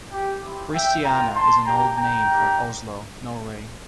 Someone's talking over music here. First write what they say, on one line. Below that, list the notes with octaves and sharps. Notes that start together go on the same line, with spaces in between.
Christiana is an old name for Oslo, Norway.
G4
C4 E4 G4
E5 G5
G3 A#3 F4 G5 A#5
A5 C6
A#3 D4 G4 G5 A#5
G5 A#5
A#3 D4 G4